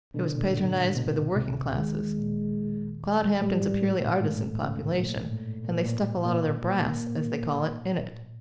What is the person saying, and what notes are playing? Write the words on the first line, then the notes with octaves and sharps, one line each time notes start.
It was patronized by the working classes--Cloudhampton's a purely artisan population--and they stuck a lot of their brass, as they call it, in it.
B2 D3
A#2
G#2
A2
B2
C2 C3
C2 C3
C#2 C#3
D#2 D#3 G#3
A#2
A2 G3
G#2
A2
A#2
G#2 A3
C#2 C#3
A2
A#2
G#2
A2
A#2
A#2
A2
A#2
A#3